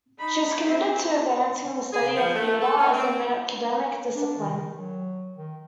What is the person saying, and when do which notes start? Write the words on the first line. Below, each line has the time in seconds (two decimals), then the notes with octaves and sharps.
She was committed to advancing the study of theatre as an academic discipline.
0.18 D#4 B5
0.67 C4
1.93 G#4
2.16 F3
2.35 A3
2.61 A4
2.77 C#4
2.92 C4
4.16 D4
4.37 D#3
4.75 F#3
5.37 D#3